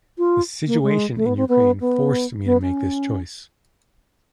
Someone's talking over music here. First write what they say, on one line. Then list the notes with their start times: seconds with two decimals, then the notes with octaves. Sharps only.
The situation in Ukraine forced me to make this choice.
0.18 F4
0.67 A#3
0.83 G#3
1.16 A3
1.26 B3
1.37 C4
1.49 B3
1.81 B3
2.46 B3
2.62 C#4